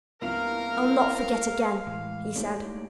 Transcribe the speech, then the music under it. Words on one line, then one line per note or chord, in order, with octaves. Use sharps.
"I'll not forget again," he said.
C2 G2 F3 A#3 B3 E4 A#4 F5
A2 E3 G#3
D#2 A2 G#3 G4 D5